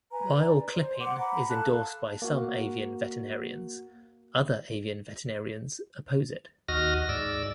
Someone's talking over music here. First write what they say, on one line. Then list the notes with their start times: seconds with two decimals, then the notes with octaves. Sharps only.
While clipping is endorsed by some avian veterinarians, other avian veterinarians oppose it.
0.12 B4 G#5 A#5
0.44 D5
0.68 C5
1.00 F#5 C6 D6
1.19 A#5 B5
1.49 A4 F5 A5 F#6
2.22 A#3 F#4
6.68 D#2 F#4 D#5 F6 A#6
7.09 G#2 D5 E6